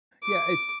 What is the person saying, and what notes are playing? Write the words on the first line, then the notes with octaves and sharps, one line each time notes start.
Yeah. It's
D6